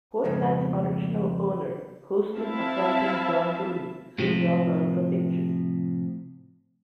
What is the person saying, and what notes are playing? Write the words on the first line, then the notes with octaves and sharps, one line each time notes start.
Portland's original owner, Houston accountant John Rooney, soon dropped out of the picture.
F2 G#2 C#3
C4 E4 E5 F5 A5
A2 C3 E3 F3